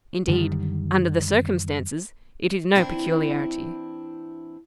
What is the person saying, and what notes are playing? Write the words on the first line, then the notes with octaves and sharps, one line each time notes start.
Indeed, under the circumstances, it is no peculiarity.
F#2 D3 D#3 G3
E3 C4 D4 E4